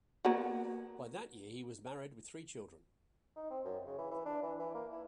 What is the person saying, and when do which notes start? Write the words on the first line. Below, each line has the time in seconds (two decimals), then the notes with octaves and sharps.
By that year he was married with three children.
0.25 A#3 B3 F#4
3.36 D#4
3.50 C4
3.65 F#2
3.86 C#3
3.98 E3
4.11 E3
4.26 D4
4.43 E3
4.59 E3
4.75 A#3
4.92 E4